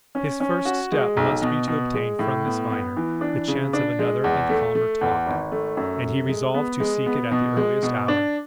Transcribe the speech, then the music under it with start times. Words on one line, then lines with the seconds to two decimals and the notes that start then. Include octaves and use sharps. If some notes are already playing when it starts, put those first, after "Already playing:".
His first step must be to obtain from Miss Viner the chance of another and calmer talk; and he resolved to seek it at the earliest hour.
0.15 C#4
0.40 C#4
0.65 F#4
0.92 G#3
1.17 B1
1.42 B2
1.68 B2
1.94 G#3
2.19 A2
2.45 B3
2.70 B3
2.96 E3
3.21 D4
3.48 C#3
3.73 D4
3.99 G#3
4.24 E2
4.49 A3
4.75 A3
5.01 E2
5.26 G#1
5.52 A3
5.77 F#2
6.03 A3
6.29 G#3
6.54 B3
6.80 G#3
7.06 B3
7.31 B2
7.57 G#3
7.82 B2
8.08 D4